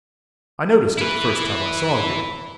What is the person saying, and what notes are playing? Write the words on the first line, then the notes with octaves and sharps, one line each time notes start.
I noticed it the first time I saw you.
E4 B4